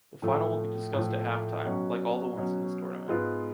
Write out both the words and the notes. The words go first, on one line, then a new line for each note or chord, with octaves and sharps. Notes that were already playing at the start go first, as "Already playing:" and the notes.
The final will be discussed at halftime, like all the ones in this tournament.
A2 F3 A3
A2 F3 A3
B2 F#3 C#4 F#4
B2 F#3 C#4 F#4
G#2 G#3 B3 F4 B4